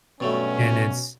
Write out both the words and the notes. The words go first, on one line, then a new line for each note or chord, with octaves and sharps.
And it's
G2 B2 F#3 A3 C#4